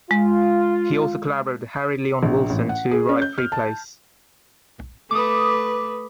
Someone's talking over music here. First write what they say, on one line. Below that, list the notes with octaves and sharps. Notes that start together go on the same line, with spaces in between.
He also collaborated with Harry Leon Wilson to write three plays.
G#3 F4
A#1
A1
F#5
G#4
C#4
G6
F6
A5
A3 B4 D6 D#6